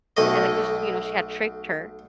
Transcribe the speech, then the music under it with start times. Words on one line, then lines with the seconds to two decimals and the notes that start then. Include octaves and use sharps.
and then 'cause, you know, she had tricked her.
0.17 B1 A3 D#5